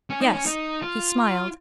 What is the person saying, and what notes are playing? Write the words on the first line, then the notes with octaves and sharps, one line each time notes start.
Yes, he smiled.
C#4
D#4
C#4
D#4
F4